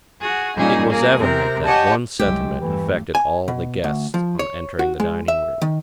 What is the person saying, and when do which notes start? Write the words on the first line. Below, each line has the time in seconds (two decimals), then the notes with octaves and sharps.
It was evident that one sentiment affected all the guests on entering the dining-room.
0.19 F#4 G#4
0.56 A#2 G3 A#3 C#4 D#4 G#4
0.88 A#3 G#4 A#4
1.19 C3 C4 A#4
1.64 G4 C#5 D#5 F#5 G#5 A5
2.19 C2 F#3 G#3 A3 G4
2.61 E2 G2 E3 A3
3.15 G#5
3.48 B2
3.84 D2
4.14 F3
4.39 C#5
4.79 F#4
5.00 G#3
5.28 E5
5.61 D#3